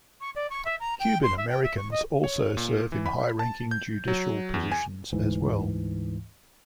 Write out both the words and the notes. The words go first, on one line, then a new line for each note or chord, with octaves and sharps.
Cuban-Americans also serve in high-ranking judicial positions as well.
C#6
D5
C#6
E5
A#5
G5
C6
E5
G5
E5
C#6
D#5
C#5
A#2
E3
B5
A5
G6
F#3
E2
G#5
D2 G#2 E3